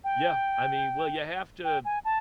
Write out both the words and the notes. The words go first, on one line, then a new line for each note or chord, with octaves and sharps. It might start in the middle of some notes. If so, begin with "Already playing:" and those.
Yeah, I mean, well, you have to,
G5
G5
G#5
A5